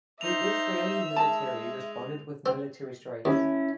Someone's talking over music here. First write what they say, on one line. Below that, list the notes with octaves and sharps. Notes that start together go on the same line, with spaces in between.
The Israeli military responded with military strikes.
D#4 C5 E5 F7
G#3 A5
C4
D#2 C#4 E4